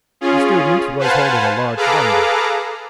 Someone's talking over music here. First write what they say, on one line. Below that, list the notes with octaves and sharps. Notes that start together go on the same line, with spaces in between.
The student was holding a large bundle.
C#4 F4 G#4
B4 C5 F5 F#5 G#5 A5
G#4 A4 B4 F5 A#5 D6